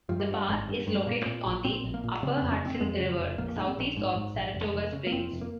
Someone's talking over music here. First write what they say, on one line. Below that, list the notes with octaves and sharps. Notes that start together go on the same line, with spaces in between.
The park is located on the upper Hudson River southeast of Saratoga Springs.
G2 F3
G3
G2
G#1 G#3
G2
G2
G#3
A#2 A#3
A#2
A#1
A#2 C4
A#1
A#3
A#2
C#3 C4
F2 C4
C#4
F1 C4
F2 G#3
C#3
F1
A#1 A#3
G#2
C4
A#1
G#2
G#2
A#1
F1
F1
C#3
A#3
F1 C4
F1
A#3